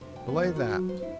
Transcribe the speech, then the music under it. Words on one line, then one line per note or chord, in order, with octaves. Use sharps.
"Belay that!"
C3
G5
B3
D#3
F#4
F#3
C5
E4